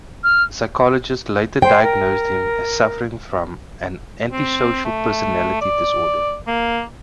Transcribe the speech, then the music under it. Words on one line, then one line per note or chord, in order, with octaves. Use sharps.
The psychologist later diagnosed him as suffering from an antisocial personality disorder.
F6
C5 G5
A#4
C4
A3
D5
A#3